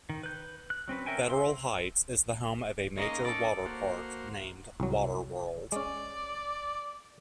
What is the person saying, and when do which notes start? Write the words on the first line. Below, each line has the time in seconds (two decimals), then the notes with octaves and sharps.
Federal Heights is the home of a major water park named Water World.
0.10 D#3
0.23 B4 G6
0.70 F#6
0.88 F#3 C4 C#4 B4
1.06 C#4 A#4 E5 G5 G#5
1.26 C5 E5 C6
2.97 G#3 A#3 C#4 D#4 A#4 D#5
3.25 A4 D5
3.65 A#3 F#4 C5
4.80 C2 F#3
5.72 G#3 C#4 D5